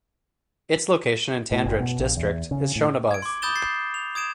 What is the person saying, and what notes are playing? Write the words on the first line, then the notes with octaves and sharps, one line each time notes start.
Its location in Tandridge District is shown above.
A2
F#1
B2
A#1
E2
C#3
A2
G#6 D7
C6 D6
B5 D#6 G6 A6 E7 G7
A6 C7
F7
D#6 G#6 D7 E7